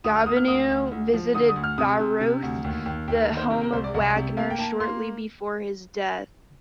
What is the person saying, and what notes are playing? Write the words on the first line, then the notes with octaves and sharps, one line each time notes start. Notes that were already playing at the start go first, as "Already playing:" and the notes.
Gobineau visited Bayreuth, the home of Wagner, shortly before his death.
D2 D#6
F6
A#3 D#6
F6
D2 D#6
D2
D2
F3
D3 D#6
D#6
D2
F6
C3 D#6
C3
C3
D2
D#2
D#2
D#2 G5
A#4
D#3
C5
C3 A#4
A#4
C2 C5
D5
C2 D#5
C3
A#3 F5
G5
A#3 A5
A#3 C6